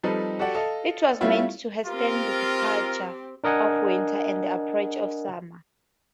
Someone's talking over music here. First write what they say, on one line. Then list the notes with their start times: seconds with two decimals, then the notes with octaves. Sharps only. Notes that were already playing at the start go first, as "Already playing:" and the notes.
It was meant to hasten the departure of winter and the approach of summer.
0.03 F3 G3 C4 D#4 A4 B4
0.39 F#4 G4 A4 D5 F#5 G5
0.55 A4 D#5 F5
1.21 G3 A3 B3 C#4 E4 F4
1.87 C4 F4 G4 A#4
3.44 D4 A#4 D#5 F#5 G#5